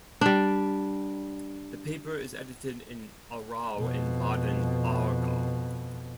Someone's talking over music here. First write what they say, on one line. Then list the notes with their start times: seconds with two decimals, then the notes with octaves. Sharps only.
The paper is edited in Aarau and Baden, Aargau.
0.21 G3 D4
3.78 F2 B2